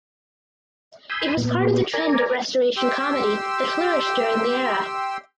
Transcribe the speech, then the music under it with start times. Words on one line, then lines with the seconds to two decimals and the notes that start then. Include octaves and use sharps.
It was part of the trend of Restoration Comedy that flourished during the era.
1.10 G#5 B5 C6 D#6 E6 G6
1.37 A#2 B3
1.94 A#4 D5 G#5 A#5
2.77 G4 G5 C6 E6